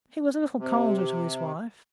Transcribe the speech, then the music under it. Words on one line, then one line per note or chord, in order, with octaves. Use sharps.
He was a little colder to his wife.
C3